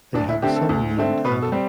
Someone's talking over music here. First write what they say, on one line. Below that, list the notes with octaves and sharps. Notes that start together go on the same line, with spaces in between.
They have a son named Adam.
D2 D4
E4
D3 A3 C4 G4
A4
D2
D3 A3 C4
B2 B4
A4
G3 C4